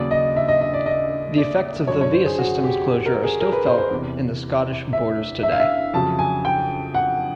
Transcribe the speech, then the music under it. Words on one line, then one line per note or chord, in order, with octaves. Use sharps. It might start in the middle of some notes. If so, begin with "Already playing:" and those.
The effects of the Viasystems closure are still felt in the Scottish Borders today.
Already playing: D#2 C#3 F#3 D5
D#5
E5
D#5
D#5
D5
D#5
D5
F#2 D3 F#3 C#5
C#5
C5
G#4
F#4
G4
A#4
G#4
A#4
B4
C5
C5
E2 C3 E3
E5
E5
F5
E5
F2 C#3 F#3 A5
G#5
G5
F#5